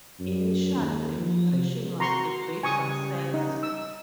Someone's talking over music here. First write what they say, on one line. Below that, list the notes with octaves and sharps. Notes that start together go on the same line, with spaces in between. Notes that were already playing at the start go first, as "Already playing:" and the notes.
Initially the operation was a great success.
F#2
D#2
F3
C3
F#4 A#5 C6 C#6
C#3 G3 G#5 C#6 D#6
D#4
E6